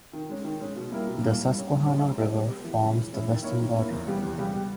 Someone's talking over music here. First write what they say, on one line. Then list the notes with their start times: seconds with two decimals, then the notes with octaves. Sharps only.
The Susquehanna River forms the western border.
0.13 D#3
0.29 G#3 C#4
0.44 D#3
0.60 G#3 C#4
0.76 B2
0.92 G3 A#3 E4 A#4
1.07 B2
1.23 G3 A#3 E4 A#4
1.39 G2
1.55 G3 C#4
1.70 G2
1.86 G3 C#4
2.02 G#3
2.18 B3 G4
2.33 G#3
2.49 B3 G4
2.64 E3
2.81 G#3 C#4 E4
2.96 E3
3.12 G#3 C#4 E4
3.28 D#3
3.43 A#3 E4 A#4 C#5
3.59 D#3
3.74 A#3 E4 A#4 C#5
3.90 E2
4.06 C#3 G3 B3 G4
4.22 E2
4.37 C#3 G3 B3 G4
4.53 G3